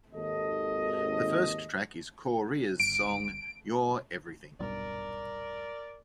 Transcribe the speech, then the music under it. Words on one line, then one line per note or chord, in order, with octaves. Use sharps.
The first track is Corea's song, "You're Everything".
G#1 D#2 A4 D#5
G1 C#2 D7
D#1 B1 G2 A#4 D5